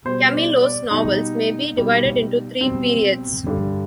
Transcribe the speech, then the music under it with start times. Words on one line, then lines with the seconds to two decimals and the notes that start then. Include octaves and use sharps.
Camilo's novels may be divided into three periods.
0.05 B2 G3 C5
0.33 D5
0.62 D5
0.91 B2 G3 D#4
1.76 B2 G3
2.61 B2 G3 C4
3.47 G2 D3 G3